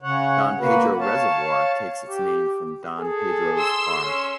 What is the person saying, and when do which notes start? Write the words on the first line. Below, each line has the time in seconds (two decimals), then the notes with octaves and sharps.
Don Pedro Reservoir takes its name from Don Pedros Bar.
0.02 C#3 C#5 F#5
0.60 A#3 F#4 B4
1.00 C#5 F5 A5
2.08 G4
2.98 G#4 A4
3.58 C6 E6
4.03 C#4